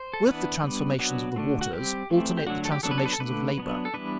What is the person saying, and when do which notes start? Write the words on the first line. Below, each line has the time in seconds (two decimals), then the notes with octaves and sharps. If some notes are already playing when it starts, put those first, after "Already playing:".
With the transformations of the waters alternate the transformations of labor.
Already playing: C5
0.13 A4
0.26 E3 B3 D4 B4
0.63 G3 B3 D4
0.99 F#3 B3 D4 F#4
1.36 D3 A3 C4
1.61 F#4
1.73 G3 C4 G4
2.10 E3 A3 C4
2.37 G4
2.47 D3 F#3 A3 D4 F#4
2.65 A4
2.72 G4
2.83 F#3 B3 D4 A4
2.91 B4
2.98 A4
3.06 B4
3.13 A4
3.20 D3 A3 D4 B4
3.58 F#3 B3 D4
3.85 A4
3.94 E3 G3 B3 D4 B4